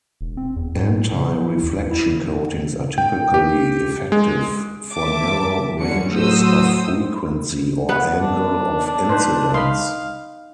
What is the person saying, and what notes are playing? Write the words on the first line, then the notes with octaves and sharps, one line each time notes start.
Antireflection coatings are typically effective for narrow ranges of frequency or angle of incidence.
E1
C4
E2
G#2
A2
C#3
F3
E4
D#2
E2
E4
G5
G4
G#3
E5 A5 D6
D3 F#3 C#4 F#4 C#7
A2 F#3 F#4 C5 D#6 E6
B3 B4
D4
D4
D#4 B4 C5
D#4 F5 B5 C6